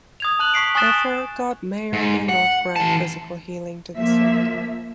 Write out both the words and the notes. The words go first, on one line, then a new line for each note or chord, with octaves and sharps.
Therefore, God may or may not grant physical healing to the sick.
D#6 G#6 F7
A5 F#6 F#7
C#6 B6 C7 D7
G#5 C#6 D#6 F#6 A6 E7
G#2
F#5
E3 A5
F3 A#3 E5